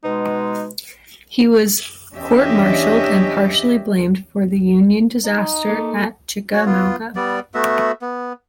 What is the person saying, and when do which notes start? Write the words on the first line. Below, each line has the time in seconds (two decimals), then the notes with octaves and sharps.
He was courtmartialed and partially blamed for the Union disaster at Chickamauga.
0.04 B2 G#3 D#4
2.13 E2 C#4 D4 G4 D#5 E5
5.25 D#4
5.67 A#3 A4
6.53 F#4 C#5
6.66 B3 F4
7.16 G3 B3 D5
7.54 A3 B3 F#4 E5
8.02 B3